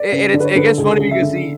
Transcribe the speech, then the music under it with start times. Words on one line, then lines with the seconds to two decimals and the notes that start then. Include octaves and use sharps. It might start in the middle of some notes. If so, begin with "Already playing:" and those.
It it's it gets funny because he
Already playing: D5
0.12 C#3
0.34 D3 D5
0.40 B4
0.45 C#5
0.55 D3 B4
0.67 A4
0.78 C#2 G#4
0.89 A4
1.00 C#3 G#4
1.11 E5
1.22 D3